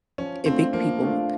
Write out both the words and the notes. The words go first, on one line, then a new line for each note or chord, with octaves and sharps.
evict people w
F3 C#4
A3 C4 D4 F4
F3 A#3
A3 D4 F4